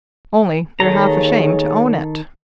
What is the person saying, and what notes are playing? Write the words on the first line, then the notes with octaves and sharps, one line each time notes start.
Only they're half ashamed to own it.
D#2 D#3 G#4 A4 C#5 A#5